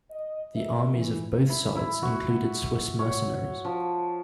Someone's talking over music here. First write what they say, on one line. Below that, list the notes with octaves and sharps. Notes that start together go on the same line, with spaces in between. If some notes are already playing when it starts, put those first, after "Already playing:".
The armies of both sides included Swiss mercenaries.
D#5
G4 A#4 B4 D#5 E5
E3
E4
E4
F#4
C#5
F3